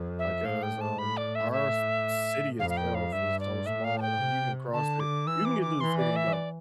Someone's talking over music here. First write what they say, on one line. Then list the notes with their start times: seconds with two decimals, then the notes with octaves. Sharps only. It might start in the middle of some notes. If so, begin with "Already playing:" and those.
like, 'cause, um, our c city itself is so small, like, you can cross it you can get through the city in about,
Already playing: F2
0.19 E5
0.45 A2 F5
0.63 G5
0.81 A5
0.99 A2 B5
1.17 D5
1.35 E5
1.52 E5
2.59 F2 F5
2.70 F5
2.77 G5
2.95 F5
3.12 G2 E5
3.40 D5
3.66 A2 E5
3.84 F5
3.98 A5
4.02 G5
4.20 C3
4.73 D3 A5
5.00 D6
5.27 E3 E6
5.45 D6
5.62 D6
5.81 E3 C6
5.98 D5
6.16 E5
6.33 D5